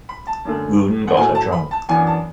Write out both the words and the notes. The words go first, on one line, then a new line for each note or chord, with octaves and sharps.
Rhun got her drunk.
B5
A5
F#2 D3 A3
F#5
A2 F#3 A3 G#5
A5
B5
A5
F#2 E3 B3 D4 G#5
A5